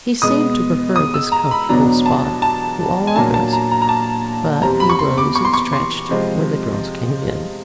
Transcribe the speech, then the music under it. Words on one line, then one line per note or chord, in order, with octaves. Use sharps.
He seemed to prefer this comfortable spot to all others, but he rose and stretched when the girls came in.
B2 G#3 B3 D#6
D#6
E6
A#5
B5
E2 B2 F#3 B3 D4 A#5
A5
A5
G#5
A#2 F#3 A#3 D4 A5
A5
A#5
A#5
A#5
A5
E2 B2 G3 C4 A#5
B5
C#6
C6
D6
C#6
C6
C#6
C6
C3 F3 G#3 C4